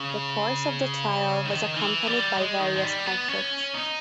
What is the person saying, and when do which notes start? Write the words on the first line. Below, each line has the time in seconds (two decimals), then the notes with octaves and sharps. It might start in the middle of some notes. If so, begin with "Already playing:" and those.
The course of the trial was accompanied by various conflicts.
Already playing: C#3
1.45 D#3
1.76 E3
2.07 G3
2.38 G#3
2.60 D#3
2.75 G#3
2.83 G3
3.06 B3
3.28 C#4
3.74 D#4